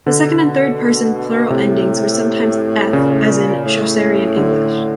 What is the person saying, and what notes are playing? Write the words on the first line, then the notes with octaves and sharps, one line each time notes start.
The second and third person plural endings were sometimes -eth as in Chaucerian English.
B2 D3
A2 C3
A#2 C#3
A2
A#2
A#2
A2
D3